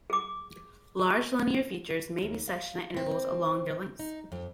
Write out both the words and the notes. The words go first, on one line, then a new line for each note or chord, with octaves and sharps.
Large linear features may be sectioned at intervals along their lengths.
G#4 D6
D#2
F5
C4
D#4
F2